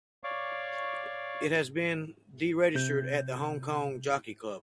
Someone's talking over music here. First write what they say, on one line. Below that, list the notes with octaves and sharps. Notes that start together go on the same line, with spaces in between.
It has been deregistered at the Hong Kong Jockey Club.
C#5 D5 F5 C#6 D6
C3 G6